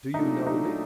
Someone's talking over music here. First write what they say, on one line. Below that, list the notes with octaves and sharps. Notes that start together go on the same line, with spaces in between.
"Do you know me?"
A#2 F#3 A3 D4 D#4
D#4